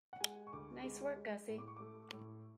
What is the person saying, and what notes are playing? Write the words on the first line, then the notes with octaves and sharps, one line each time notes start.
Nice work, Gussie.
F#5
G#3 G#5
C#6
D2 D6
G#3
G#3
A2
D6
C#6
A3 D6
A2